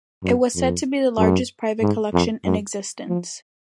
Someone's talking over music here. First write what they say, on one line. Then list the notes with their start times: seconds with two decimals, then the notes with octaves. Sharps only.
It was said to be the largest private collection in existence.
0.23 F#2
0.55 F2
1.18 F#2
1.82 G#2
2.13 F2
2.45 F#2
3.08 F3